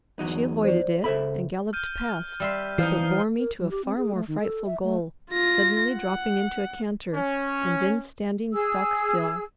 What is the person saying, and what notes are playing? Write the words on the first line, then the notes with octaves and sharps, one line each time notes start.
She avoided it, and galloped past, but bore me to a far more frightful goal, suddenly dropping into a canter, and then standing stock-still.
E2 F#3 D#4
C5 D5
C#2 A4 C5 E5 B5
F6 G6 D#7
G3 E5 C6
E3 F3 D#4 F6 C7
A#4
F#3
G4
C4
G#4
A3
D#3
A4
E5
A3
F4 A#6
F#5
C#4
G#4 E6